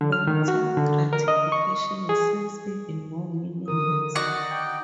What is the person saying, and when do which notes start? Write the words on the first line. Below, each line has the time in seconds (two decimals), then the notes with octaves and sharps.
Long-term gratification seems even more meaningless.
0.01 D3
0.12 F6
0.27 D#3
0.48 F#4
0.77 D3
1.13 A#4
1.28 D#5
1.52 C#6
2.09 G#4
3.68 D3 D#3 A#4 D#6
4.15 D#4 F#4 D5 F#5 C#6
4.51 G5